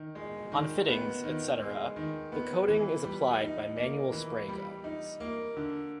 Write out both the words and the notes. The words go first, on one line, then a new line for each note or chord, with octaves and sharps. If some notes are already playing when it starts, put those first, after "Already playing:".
On fittings, etc., the coating is applied by manual spray guns.
Already playing: D#3
G#3
D#3
B3
D#3
G#3
D#3
B3
E3
G3
D#4
A#3
E3
G3
D#4
A#3
D3